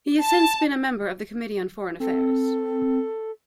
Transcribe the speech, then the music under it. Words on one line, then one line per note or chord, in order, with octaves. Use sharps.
He has since been a member of the Committee on Foreign Affairs.
A5
C4 A4